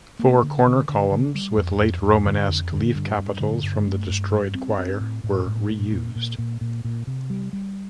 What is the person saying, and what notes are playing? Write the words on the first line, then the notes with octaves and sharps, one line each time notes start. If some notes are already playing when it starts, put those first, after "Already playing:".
Four corner columns with late Romanesque leaf capitals from the destroyed choir were reused.
A#3
D3
D3
D3
D3
G3
F2
F2
F2
D3
F2
D3
G2
G2
D3
G2
A3
G2
G3
C4
C4
A2
A2
A2
A#2
A#2
A#2
A#2
A#2
A#2
C3
G3
G3